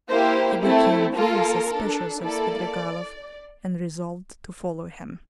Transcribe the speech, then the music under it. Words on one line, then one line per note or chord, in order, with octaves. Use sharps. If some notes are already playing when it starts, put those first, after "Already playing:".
He became very suspicious of Svidrigailov and resolved to follow him.
A#3 E4 G4 C5
A3 C4 E4 A4
A#3 F4 A4 A#4
D4 A4
A#3 E4 A4 D5